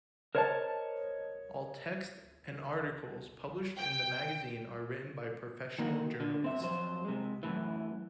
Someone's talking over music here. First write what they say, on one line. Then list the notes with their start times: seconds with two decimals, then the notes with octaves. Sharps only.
All texts and articles published in the magazine are written by professional journalists.
0.35 A#4 C5 C#5 D#5 G5 A5
3.77 G5
5.79 D#3 A#3 D#4 F#4
6.20 D3
6.44 C4 E5
6.60 F2 F#3 C5
7.05 C3 G#3
7.43 F#2 A2 E3